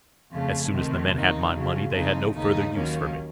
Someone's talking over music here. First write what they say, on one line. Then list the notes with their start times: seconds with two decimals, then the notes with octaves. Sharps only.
As soon as the men had my money they had no further use for me.
0.30 F2 C#3 A3
0.71 C3 D#3 A3
1.12 C3 D#3 A#3 D#4
1.52 F2 C#3 F#3
1.92 C#3 F3 C4 D#4
2.33 D#2 C#3 A3 D#4
2.73 D#2 D#3 F#3 A#3 C#4